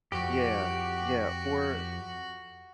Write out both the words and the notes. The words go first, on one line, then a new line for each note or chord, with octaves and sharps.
Yeah, yeah, or
F2 F#4 G4